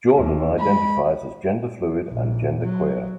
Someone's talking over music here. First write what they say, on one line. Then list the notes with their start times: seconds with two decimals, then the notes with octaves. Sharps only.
Jordan identifies as genderfluid and genderqueer.
0.14 D#2
0.57 G#3 B5
2.08 A#1
2.62 F#3